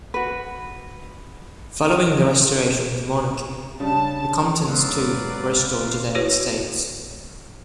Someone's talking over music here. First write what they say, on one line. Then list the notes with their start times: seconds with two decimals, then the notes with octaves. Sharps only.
Following the restoration of the monarchy, the Comptons too were restored to their estates.
0.14 F#4 B4
3.80 C#3 G3 D4 A5
4.67 G#2 F#3 B3 B4 D5 F5 C6
6.15 E4 F#4 G#4 B4 C#5